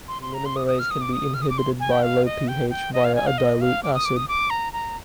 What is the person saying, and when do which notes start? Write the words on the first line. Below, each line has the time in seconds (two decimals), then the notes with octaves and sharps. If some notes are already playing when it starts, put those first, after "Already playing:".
Linamarase can be inhibited by low pH via a dilute acid.
0.08 C6
0.22 C6
0.34 A#5
0.45 C6
0.56 D#6
0.67 D#6
0.79 F6
0.91 D#6
1.01 D6
1.13 D#6
1.34 F6
1.42 D#6
1.50 D6
1.58 C6
1.80 G#5
1.91 G5
2.02 F5
2.25 D#5
2.48 G5
2.70 G5
2.93 D#5
3.04 F5
3.15 G#5
3.27 F5
3.38 D#5
3.61 F5
3.83 D6
3.94 D#6
4.05 D6
4.16 D#6
4.28 D6
4.50 A#5
4.73 A#5